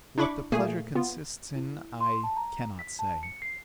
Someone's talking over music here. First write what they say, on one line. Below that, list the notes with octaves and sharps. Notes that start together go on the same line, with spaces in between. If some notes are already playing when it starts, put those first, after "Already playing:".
What the pleasure consists in I cannot say.
D4 E4 B5 C#6 D6
A#2 A3 A#3 G#4 G#5
B3 F4
E4
C6
A5
A#5
B6
A5
C#7
C7